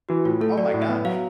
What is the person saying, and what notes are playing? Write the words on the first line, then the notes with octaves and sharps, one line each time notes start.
Oh my gosh.
E3 F#4
A2 F4
A3 A4
F#3 D5
A2
E5
B3
F#3 F5